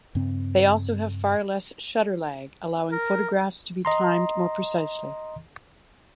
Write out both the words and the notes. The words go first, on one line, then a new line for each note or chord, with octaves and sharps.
They also have far less shutter lag, allowing photographs to be timed more precisely.
G2 C#3 C4
A#4
D#5 A#5 C6